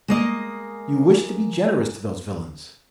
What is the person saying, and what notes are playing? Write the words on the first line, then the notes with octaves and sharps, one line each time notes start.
You wish to be generous to those villains!
G#3 A#3 D#5